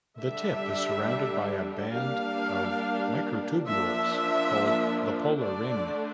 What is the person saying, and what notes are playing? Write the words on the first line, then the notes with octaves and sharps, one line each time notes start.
The tip is surrounded by a band of microtubules, called the polar ring.
D3 G3 D4 E5
G3 A#3 D4 F5
F3 A#3 D4 E5
D3 A3 D4 D5